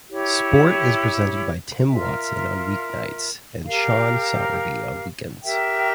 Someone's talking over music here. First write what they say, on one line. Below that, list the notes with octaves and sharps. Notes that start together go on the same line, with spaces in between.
Sport is presented by Tim Watson on weeknights and Sean Sowerby on weekends.
E4 G4 C#5
F4 A#4 E5
G4 A#4 F5
G4 A#4 E5 G5